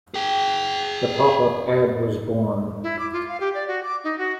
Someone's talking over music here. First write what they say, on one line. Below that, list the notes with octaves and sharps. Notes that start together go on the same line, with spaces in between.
The popup ad was born.
G#4 G5
E4
D6
F4
F5
G4
D5
F#4
D6
D#4
F#4